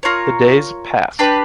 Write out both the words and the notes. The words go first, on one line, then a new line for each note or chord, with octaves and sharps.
The days passed.
F4 A#4 C#5
D4 G4 B4